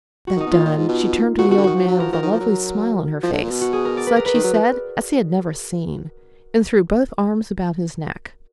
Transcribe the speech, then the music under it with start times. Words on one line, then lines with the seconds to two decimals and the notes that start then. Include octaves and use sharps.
That done, she turned to the old man with a lovely smile on her face--such, he said, as he had never seen--and threw both arms about his neck.
0.27 F#4
0.36 D#3
0.40 D#4
0.47 B2
0.52 A#2 F4
0.65 A#2
0.77 G#2
0.89 B2
1.38 A#2 F#4
1.48 B2
1.51 F#4
1.58 D3
1.64 D#3 F#4
1.75 F3
1.88 F#3
2.00 F3 A#4
2.12 F3 A#4
2.22 D#3
2.31 F3
2.41 F#3
3.23 F3
3.33 D3
3.42 A#2
3.51 B2
3.61 F#4
3.73 G#4
3.85 A#4
3.97 D5
4.07 B4
4.16 A#4
4.26 B4
4.34 D#3
4.44 F#3
4.53 F3